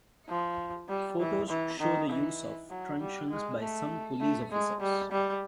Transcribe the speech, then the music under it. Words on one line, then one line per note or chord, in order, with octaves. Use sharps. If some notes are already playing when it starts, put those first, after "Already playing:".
Photos show the use of truncheons by some police officers.
F3
G3
E3
E3
D#3
E3
F#3
G3
G#3
A3
A3
G#3
G3
G3